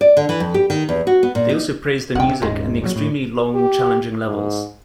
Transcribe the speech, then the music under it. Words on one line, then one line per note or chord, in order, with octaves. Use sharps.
They also praised the music and the extremely long, challenging levels.
D5
D3
E3
F2
G4
D#3
E2
F#4
B3
A#2
D#4
F1 C2 C#3 F#5 G5
G2 C3
D#1 G#2 C#3 G#3
A#2 D#3 F#3
A2
G4
G#2